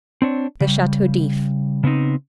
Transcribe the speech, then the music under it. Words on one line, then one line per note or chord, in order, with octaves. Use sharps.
The Chateau D'If.
C4 D4 C#5
C#3 G3
C#3 B3 C4 D#4